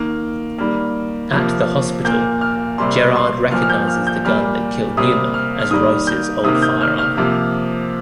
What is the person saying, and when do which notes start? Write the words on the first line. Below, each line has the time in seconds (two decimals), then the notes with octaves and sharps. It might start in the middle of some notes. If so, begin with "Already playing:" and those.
At the hospital, Gerard recognizes the gun that killed Newman as Royce's old firearm.
Already playing: D#3 A#3
0.58 D#3 G3 A#3
1.32 C3 F3 A#3
2.05 A#2 A#3 G6
2.41 F6
2.78 C3 G3 A#3 C6
3.15 C6
3.51 A#2 F3 A#3 F6
3.62 F6
3.69 G6
3.88 F6
4.07 G6
4.25 A#2 G3 A#3 F6
4.97 C3 G3 A#3 D#6
5.34 F6
5.60 F6
5.71 D#3 G3 A#3 D#6
6.07 G6
6.44 C3 D#3 A#3 D#6
6.62 G6
6.81 F6
6.98 F6
7.17 C3 F3 A#3